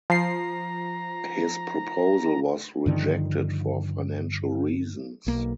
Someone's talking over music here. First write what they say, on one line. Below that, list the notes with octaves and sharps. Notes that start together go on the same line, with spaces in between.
His proposal was rejected for financial reasons.
F3 A#5 C7
G2 D3 D#3 F3
B1 A#3